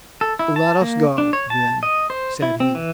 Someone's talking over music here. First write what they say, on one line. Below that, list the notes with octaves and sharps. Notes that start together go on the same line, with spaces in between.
"Let us go, then!" said he.
A4
E4
A5
A#3
D4
C#5
A5
D#5
C5
E4
C4
E3